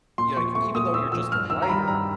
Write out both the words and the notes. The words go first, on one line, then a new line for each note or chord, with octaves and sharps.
y like, even though you're just a writer,
A#2 C6
F3 C#6
A3 C#6
A#2 D#6
A#2 E6
F3 E6
G2 F6
D#3 E6
A#5
G3 B5
G2 A#5